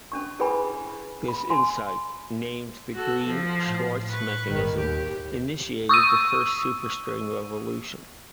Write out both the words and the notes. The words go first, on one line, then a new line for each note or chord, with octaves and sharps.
This insight, named the Green-Schwarz mechanism, initiated the First Superstring Revolution.
C#4 D4 C#6
E4 G#4 B4 G5 G#5 B5
B5
G#5 C6
F#4 A4
F3
A2
B4 C#6
G1 D#3
D#2 G4
C#6 D#6 E6 D#7